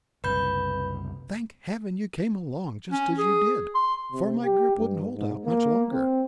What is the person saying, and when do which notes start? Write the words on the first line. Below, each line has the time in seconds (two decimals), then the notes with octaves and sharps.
"Thank Heaven you came along just as you did, for my gripe wouldn't hold out much longer."
0.24 F#1 C2 B4 B5 G6
2.91 C#4
3.18 G#4
3.75 C6
4.12 C3
4.44 G4
4.77 G2
5.13 G#2
5.45 A#3
5.91 C4